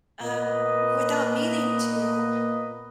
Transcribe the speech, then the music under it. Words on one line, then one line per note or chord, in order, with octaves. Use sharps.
uh, w without meaning to,
A#2 A#3 B3 B4 D#5